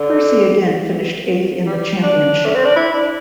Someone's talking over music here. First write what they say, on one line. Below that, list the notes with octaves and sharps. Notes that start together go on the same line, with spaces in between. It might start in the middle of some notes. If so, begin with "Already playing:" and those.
Percy again finished eighth in the championship.
Already playing: D3
G3
D4
A3
C4
D4
E4
D4